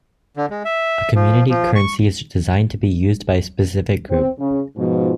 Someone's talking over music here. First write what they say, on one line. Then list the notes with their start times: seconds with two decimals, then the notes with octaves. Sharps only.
A community currency is designed to be used by a specific group.
0.37 D3
0.50 G#3
0.65 E5
1.15 F3
1.49 F3
1.75 C#6
4.10 C4
4.38 C#3
4.77 G#2 B2 F3